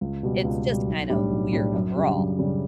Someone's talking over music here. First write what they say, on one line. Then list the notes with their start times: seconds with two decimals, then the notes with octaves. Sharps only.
it's just kind of weird overall.
0.01 C#2
0.23 B2 G3
0.45 C#2
0.66 B2 G3
0.88 B1
1.10 A2 G3 D4
1.31 B1
1.52 A2 G3 D4
1.75 F#2
1.96 C#3 G3 D4
2.18 F#2
2.39 C#3 G3 D4